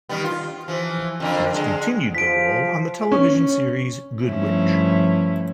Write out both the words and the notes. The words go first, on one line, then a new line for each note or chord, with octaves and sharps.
She has continued the role on the television series "Good Witch".
D#3 G3 B3
F4
E3 F3
F2 D3 A#4
D3 G#3
F3 B6 D7
C#4
G2 F3 A3 C#4 E4